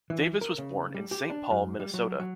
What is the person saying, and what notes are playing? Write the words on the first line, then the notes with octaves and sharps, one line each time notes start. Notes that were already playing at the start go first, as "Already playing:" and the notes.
Davis was born in Saint Paul, Minnesota.
E3
A#4
C#3
G3
G4
D4
F#2
G3
F#3
F#3